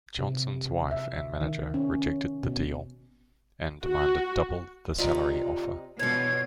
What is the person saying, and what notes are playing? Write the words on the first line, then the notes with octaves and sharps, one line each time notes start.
Johnson's wife and manager rejected the deal, and demanded double the salary offer.
C3
E5
D#3
C#4
B2
F#4
C3 D#4 F4 D5 A#5
G2 B2 E3 F4 C#5 G#6